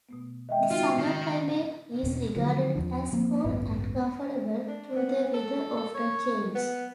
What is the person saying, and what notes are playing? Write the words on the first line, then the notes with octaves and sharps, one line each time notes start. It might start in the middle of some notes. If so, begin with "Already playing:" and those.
The summer climate is regarded as cool and comfortable, though the weather often changes.
B2 A3 B3
D#3 G#3 D#5 E5 G5
A3 C4 D#4 F4 F#4 E5 G5
D#3 C7
E2 B2 C#4
D3 D#3 F3 F#3
E2 F3 D4
F3 A#3 C4
A1 D2 G2 B3
D4
B3
A4
A4
C#5
B3